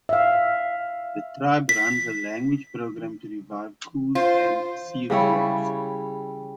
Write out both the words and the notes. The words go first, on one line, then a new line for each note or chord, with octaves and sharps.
The tribe runs a language program to revive Coos and Siuslaw.
E5 F5
B6
F4 C5
C#3 G3 E4 C#5